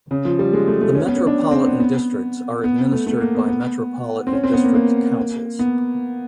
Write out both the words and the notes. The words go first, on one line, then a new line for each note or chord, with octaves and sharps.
The metropolitan districts are administered by metropolitan district councils.
C#3
F3
G3
G#3
A3
A3
C#4
B3
C#4
D4
C4
B3
B3
B3
A3
A3
A#3
B3
B3
C4
C#4
C4
B3
A#3
A#3
B3